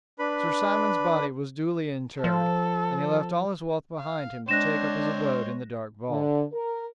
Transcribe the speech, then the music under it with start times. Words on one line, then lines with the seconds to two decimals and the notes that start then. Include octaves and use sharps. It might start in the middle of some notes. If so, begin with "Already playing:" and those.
Sir Simon's body was duly interred, and he left all his wealth behind him to take up his abode in the dark vault.
0.19 D4 B4 B5
2.24 F3 A4
3.99 F5
4.49 G#3 C4 D4 C5 C#5 F#6 A#6 E7
6.09 D3
6.52 A#4